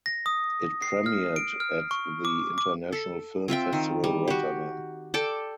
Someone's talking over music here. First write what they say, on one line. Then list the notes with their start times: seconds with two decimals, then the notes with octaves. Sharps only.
It premiered at the International Film Festival Rotterdam.
0.06 A#6
0.26 D#6
0.82 C7
1.06 F6
1.36 D7
1.60 F6
1.91 C#6
2.25 D6
2.58 D6
2.92 A4
3.48 C4 F4 E5 G5
3.73 D#3
4.04 G3
4.28 F#4 G4
5.14 A4 D5 G5 A5